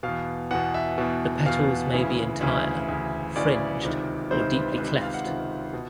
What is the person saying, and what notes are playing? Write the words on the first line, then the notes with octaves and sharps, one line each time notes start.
The petals may be entire, fringed or deeply cleft.
E2 B2 F5
E2 B2 F#5
E5
E2 B2
E2 B2 F5
D2 C#3 E3
D2 C#3 E3 E5
D2 C#3 E3
D2 C#3 E3 D5
C#2 C3 D#3
C#2 C3 D#3 C5
B4
C5
C#2 C3 D#3 B4
F5
F#5
C#2 C3 D#3
B2